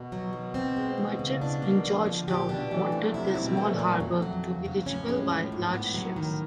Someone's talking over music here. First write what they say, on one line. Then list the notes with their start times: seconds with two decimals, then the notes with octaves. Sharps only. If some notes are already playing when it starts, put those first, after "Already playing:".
Merchants in Georgetown wanted their small harbor to be reachable by large ships.
Already playing: B2
0.12 F#3
0.33 D#3
0.54 C4
0.76 G#3
0.97 E3
1.19 C#3
1.41 D4
1.62 A#3
1.85 F3
2.06 D3
2.28 A#2 G4
2.49 B2 D4
2.71 E3 A3
2.92 F3 F#3
3.14 C3 E4
3.35 C4
3.42 B2
3.57 A3
3.71 A#2
3.79 F#3
4.00 F2
4.22 F#3
4.43 C#3
4.65 F2
4.86 A2 C#4
5.09 G#3
5.30 F3
5.52 G#2
5.74 B3
5.94 F#3
6.16 D#3